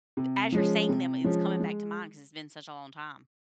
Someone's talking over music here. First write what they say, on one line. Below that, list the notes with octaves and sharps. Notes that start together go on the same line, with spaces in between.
as you're saying them, it's coming back to mind 'cause it's been such a long time.
C3
F3 G#3 C#4
C3
F3 G#3 C#4
G#3